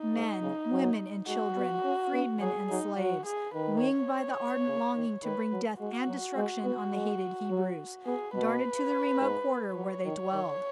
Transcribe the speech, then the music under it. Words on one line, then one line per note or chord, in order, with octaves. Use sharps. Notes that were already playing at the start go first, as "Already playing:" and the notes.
Men, women, and children, freedmen and slaves, winged by the ardent longing to bring death and destruction on the hated Hebrews, darted to the remote quarter where they dwelt.
Already playing: D#4
G#2
C#3
F#3
G#3 F#4
B3
C#4
B3
F#3 G#4
F#3 D#4
F#3 F#4
G#4
D#3 B4
C#5
C#3
D#3
D#3 B4
F#3
G#3 F#4
F#3
G#3
B3
G#3
F#3
B3 G#4
B2 B4
G#2
F#3 C#5
D#3
D#3